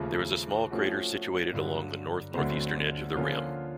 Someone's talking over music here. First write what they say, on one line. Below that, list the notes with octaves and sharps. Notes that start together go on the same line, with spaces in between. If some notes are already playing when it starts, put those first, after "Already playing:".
There is a small crater situated along the north-northeastern edge of the rim.
Already playing: D#2 C#3 F3 A3
F3 A3 C#4 F#4
G2 D3 F#3
D2 D3 F#3 A3 C4
D3 F3 A#3 C#4 F4